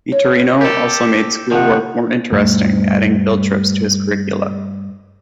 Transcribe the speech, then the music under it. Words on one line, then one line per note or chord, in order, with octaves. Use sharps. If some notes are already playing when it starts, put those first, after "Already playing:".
Vittorino also made school work more interesting, adding field trips to his curricula.
C#5
G4 A4 A#4
C3 D#3 F3 F#5
G2 A3